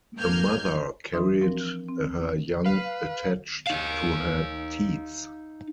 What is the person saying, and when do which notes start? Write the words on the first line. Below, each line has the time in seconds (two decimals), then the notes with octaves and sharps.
The mother carried her young attached to her teats.
0.19 G#2 A#3 F6 G6 G#6
1.13 E3 D4 C6 D#6
1.41 F3 C4 A#4
1.88 C4
2.66 B4 F5
3.67 D#4 F5